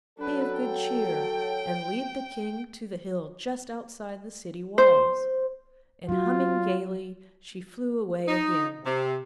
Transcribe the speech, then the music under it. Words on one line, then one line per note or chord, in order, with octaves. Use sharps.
Be of good cheer, and lead the King to the hill just outside the city walls.' And humming gaily she flew away again.
F#3 D4 A4 B4
G5
C5
F#3 F4 F#4
D#4
C3